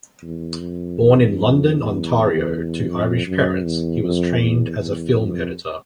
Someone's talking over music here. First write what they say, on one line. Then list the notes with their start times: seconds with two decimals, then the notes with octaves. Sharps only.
Born in London, Ontario, to Irish parents, he was trained as a film editor.
0.22 E2
0.59 F2
0.99 E2
1.37 F2
1.75 E2
2.88 F2
3.27 F#2
3.65 E2
4.04 F2
4.41 E2
4.79 E2
5.17 F2